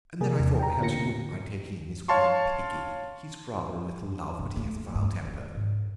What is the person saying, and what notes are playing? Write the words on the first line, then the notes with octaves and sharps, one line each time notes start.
And then I thought perhaps you wouldn’t mind taking in this wee piggie; he’s rather a little love, but he has a vile temper.
C3 A#3 G#4 A#4
E2 C3
G5 A#5
A2 D3 A#3 F4 A#6 C#7
C#5 F5 A5 C6 C#6
G2
A3
G2
F#3
D#3
G#2